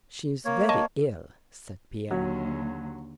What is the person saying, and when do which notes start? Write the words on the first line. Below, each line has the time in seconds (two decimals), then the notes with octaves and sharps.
"She is very ill," said Pierre.
0.45 A#3 C#5
0.69 D#5 A5 C#6
2.11 D#2 D3 F#3